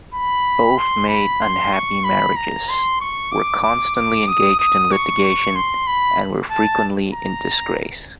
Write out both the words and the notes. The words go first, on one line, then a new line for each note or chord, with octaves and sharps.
Both made unhappy marriages, were constantly engaged in litigation, and were frequently in disgrace.
B5
C6
B5
C6
C#6
B5
A#5
C6
C#6
D6
D6
D6
D#6
D#6
C#6
C#6
C6
B5
A5
A#5